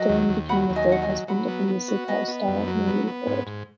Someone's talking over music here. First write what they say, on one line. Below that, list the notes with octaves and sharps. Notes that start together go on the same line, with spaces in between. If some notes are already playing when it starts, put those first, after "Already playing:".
Dillon became the third husband of the Music Hall star Marie Lloyd.
Already playing: F#3 D#5 G#5
D#2
D#2
F#3 F#5 B5
D#2
D#5 G#5
F#3 F#5
D#5 G#5
F#3
F#3 F#5 B5
B3
B3
F#4
B3 D#5 G#5
B3
F#2
F#3
B3
B3
G#2
G#2